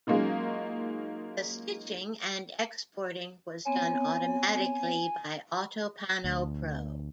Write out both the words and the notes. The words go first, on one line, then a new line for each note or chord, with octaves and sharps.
The stitching and exporting was done automatically by Autopano Pro.
F#3 G#3 A#3 C#4 D#4 F4
B3 C4 C#5 G#5
D2